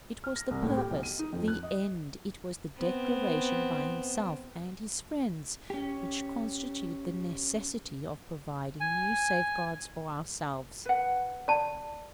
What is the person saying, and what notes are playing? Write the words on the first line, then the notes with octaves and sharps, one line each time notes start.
It was the purpose, the end, it was the declaration by himself and his friends, which constitute the necessity of providing new safeguards for ourselves.
F6
A#6
C2
A2
G4
B1
D#7
D#4
F2
F#6
D#5
B3 C4
C#4 G4
G#5
B4 F#5
D5 A5